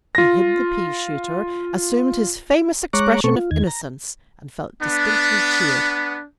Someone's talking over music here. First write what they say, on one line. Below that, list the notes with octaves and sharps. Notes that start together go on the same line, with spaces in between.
He hid the pea-shooter, assumed his famous expression of innocence, and felt distinctly cheered.
F4 A#6
G#3 C#5 A#5 C#6 D6 F#6
B2 A3 C4 A4 C#6
F4
E2 D#3 G#6
A#5
B3 D4